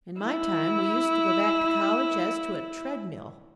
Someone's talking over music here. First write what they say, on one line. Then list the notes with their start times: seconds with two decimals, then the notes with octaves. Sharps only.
In my time we used to go back to college as to a treadmill.
0.21 E4